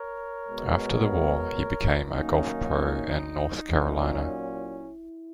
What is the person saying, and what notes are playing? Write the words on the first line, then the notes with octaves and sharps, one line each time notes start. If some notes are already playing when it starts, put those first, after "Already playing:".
After the war, he became a golf pro in North Carolina.
Already playing: A#4 C#5
B2 G#3 B3
F#2 D#3 A#3 C#4 D#4
A#2 F#3 C#4
E4